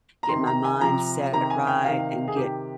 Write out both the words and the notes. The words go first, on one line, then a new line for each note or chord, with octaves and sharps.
get my mind set right and get,
A#5
C3 D#3 C6
A#5
G#5
C3 F3 A#5
C3 D#3 A#5
G#5
G5
C3 D#3 F5
G#4
C3 D#3 G4